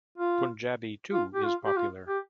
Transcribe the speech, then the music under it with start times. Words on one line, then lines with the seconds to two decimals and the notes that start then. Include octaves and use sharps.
Punjabi, too is popular.
0.18 F4
1.13 F4
1.35 G4
1.45 F4
1.65 G4
1.77 F4
2.09 G4